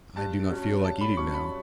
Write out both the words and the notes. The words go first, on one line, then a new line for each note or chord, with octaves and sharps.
I do not feel like eating now.
G2 A5
F#3 C#4
G2 A5
B5
F#3 C#4 C#6
B5